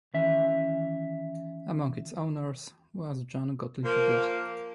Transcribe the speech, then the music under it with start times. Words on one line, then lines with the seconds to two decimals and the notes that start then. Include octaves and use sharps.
Among its owners was Jan Gotlib Bloch.
0.14 D#3 E3 C#4 E5
3.85 F3 A#3